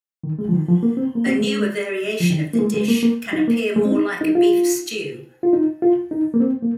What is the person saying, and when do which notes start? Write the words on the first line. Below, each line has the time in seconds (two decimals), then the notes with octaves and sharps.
A newer variation of the dish can appear more like a beef stew.
0.24 D#3
0.39 G#3
0.49 F3
0.53 D#3
0.69 F3
0.83 A#3
0.97 C4
1.15 A#3
1.26 C4
1.41 G#3
2.20 F3
2.30 D#3
2.54 A#3
2.59 G#3
2.74 G#3
2.88 A#3
3.03 A#3
3.33 D#4
3.48 A#3
3.76 G#3
3.85 C4
3.92 D#4
4.21 D#4
4.35 F4
5.43 F4
5.53 D#4
5.82 F4
6.11 D#4
6.34 A#3
6.40 C4
6.63 A#3